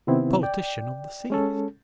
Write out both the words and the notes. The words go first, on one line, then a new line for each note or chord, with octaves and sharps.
A politician of the seas.
C3 D#3 B3 C4 E4
D5 G5
G#3 C#4 A4